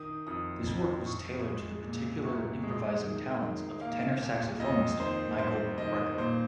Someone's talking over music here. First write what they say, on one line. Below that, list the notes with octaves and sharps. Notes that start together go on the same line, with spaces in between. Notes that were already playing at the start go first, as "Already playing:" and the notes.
This work was tailored to the particular improvising talents of tenor saxophonist Michael Brecker.
Already playing: D#3 D#6
F2 D#6
F2
F2 C#6
G#3
A#2
C2 C#6
G#3
D#3
D#3
A#3 F5
D#2
F2 D#5
D#3 C5
G3 C5
D#3 D#5
A#2 C5